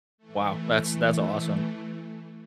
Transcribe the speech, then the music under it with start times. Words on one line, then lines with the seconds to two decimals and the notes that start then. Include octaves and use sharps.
Wow. That's that's awesome.
0.18 E3 A3